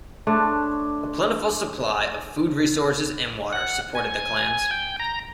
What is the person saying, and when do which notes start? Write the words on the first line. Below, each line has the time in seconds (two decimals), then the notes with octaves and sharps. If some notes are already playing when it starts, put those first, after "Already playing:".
A plentiful supply of food resources and water supported the clans.
0.27 A3 D4 C#5 C6
3.53 F#5
3.95 G#5
4.71 G5
5.00 A#5